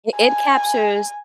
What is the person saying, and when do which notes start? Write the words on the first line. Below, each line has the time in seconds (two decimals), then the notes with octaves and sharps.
I it captures
0.16 G#5